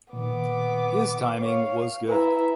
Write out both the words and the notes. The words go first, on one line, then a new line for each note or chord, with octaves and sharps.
His timing was good.
A#2 D#3 B3 D6
C#5 F5 C#6
E4 B4 E5 G#5 A#5